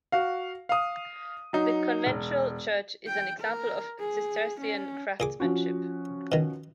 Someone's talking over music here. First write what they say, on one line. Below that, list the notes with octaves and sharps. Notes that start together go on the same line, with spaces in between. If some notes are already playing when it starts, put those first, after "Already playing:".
The conventual church is an example of Cistercian craftsmanship.
F#4 F5
F5 D#6
F#3 D#4
E1
G5
A#4
G#4
C#4
A#2 G#4 D6
F3 C#4 F#4
B2 D#3